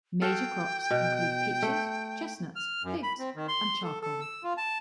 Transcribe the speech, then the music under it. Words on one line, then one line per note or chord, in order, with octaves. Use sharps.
Major crops include peaches, chestnuts, figs, and charcoal.
F#4 A4 F5 G5
B2
A3
F6
F#2
B5
C4
D#3
C6
A4
A4
E6
F4
A5